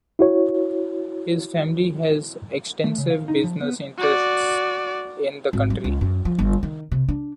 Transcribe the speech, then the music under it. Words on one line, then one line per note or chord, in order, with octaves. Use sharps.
His family has extensive business interests in the country.
E4 F#4 C#5
A3
C#3
F5
D#4
F3
B3
F#4 D5
G#1
F#3
C#2
F#2
F3
G1
D#3
C3
D4